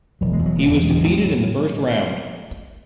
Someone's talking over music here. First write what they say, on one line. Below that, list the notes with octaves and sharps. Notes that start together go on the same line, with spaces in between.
He was defeated in the first round.
E1 F#3
G#3
E2
F#3
E1 G#3
E2 F#3
G#3
A1
F#3
A2 G#3
A2 F#3